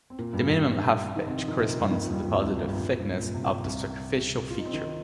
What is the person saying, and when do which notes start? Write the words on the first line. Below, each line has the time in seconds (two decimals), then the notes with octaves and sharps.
The minimum half-pitch corresponds to the deposited thickness of the sacrificial feature.
0.10 C4
0.19 A#2 A#3
0.33 G2 G3
0.47 G2 G3
1.16 D#3 D#4
1.27 C3 C4
1.37 F3 F4
1.48 D#3 D#4
1.59 C3 C4
1.69 A#2 A#3
1.80 G2 G3
1.91 D#2 D#3
2.02 F2 F3
2.13 G2 G3
2.24 F2 F3
2.34 C2 C3
2.45 C2 C3
2.56 C2 C3
2.67 G2
2.78 A#2
2.99 G2
3.21 A#2
3.34 C3
3.43 A#2
3.64 C2 C3
4.50 F4
4.59 D#4
4.66 C4
4.73 D#3 D#4